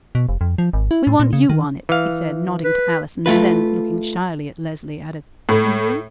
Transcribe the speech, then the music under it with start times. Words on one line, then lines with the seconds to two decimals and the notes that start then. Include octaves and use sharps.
"We want you on it," he said, nodding to Allison and then, looking shyly at Leslie, added, "And you?"
0.15 B2
0.29 F1
0.41 F2
0.58 F3
0.73 G#1
0.91 E4
1.07 A2
1.20 A#2
1.33 C#3
1.49 D#3
1.89 E3 F5
2.64 B4
3.26 A3 F4 B4
5.49 A2